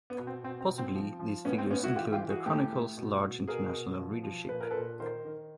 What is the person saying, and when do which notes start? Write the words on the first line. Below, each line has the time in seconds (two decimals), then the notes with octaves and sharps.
Possibly these figures include the Chronicle's large international readership.
0.10 B3
0.19 B2
0.27 C4
0.43 B2 C4
0.61 C4
0.69 B2
0.78 C4
0.95 F3
1.19 F3
1.45 A2 B3 C#4
1.58 C4
1.70 A2 B3 C#4
1.83 E4 F#4
1.96 E3 F4 G4
2.12 F4 G4
2.22 E3
2.30 F#4 G#4
2.46 A2 G4 A4
2.72 A2
2.97 B2
3.22 B2
3.48 B2 G#4 A#4
3.73 B2
3.99 F3
4.23 F3
4.49 A#2 B4
4.61 A#4
4.71 A#2 A4 B4
5.00 D#3 A#4 C5
5.25 D#3